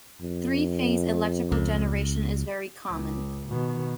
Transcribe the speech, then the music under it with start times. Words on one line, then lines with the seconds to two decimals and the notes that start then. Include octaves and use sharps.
Three-phase electrical generation is very common.
0.21 F2
1.52 C#2
2.91 C#2
3.49 B2 D#3